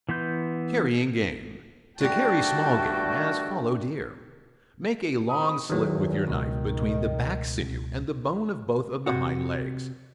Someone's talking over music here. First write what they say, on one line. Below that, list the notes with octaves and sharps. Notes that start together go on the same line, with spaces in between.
Carrying Game.--To carry small Game, as Fallow Deer.--Make a long slit with your knife between the back sinew and the bone of both of the hind-legs.
E3 B3 C6 G6
G1 G3 A3 D4 F#4 G4 G5 A5
C4 B5 D#6
E2 D#3 F#3
C#2 B2 D#3
C3 F#4